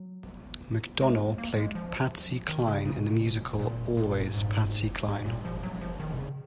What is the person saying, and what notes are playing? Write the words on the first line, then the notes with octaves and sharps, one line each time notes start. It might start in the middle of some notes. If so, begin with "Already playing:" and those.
McDonough played Patsy Cline in the musical "Always...Patsy Cline".
Already playing: F#3
G#3
A#3
G#3
F3
D#3
C#3
C#3
B2
A#2
B2
A#2
A#2
G#2
G#2
A#2
F3
F#3
F3
D#3
B2
C#3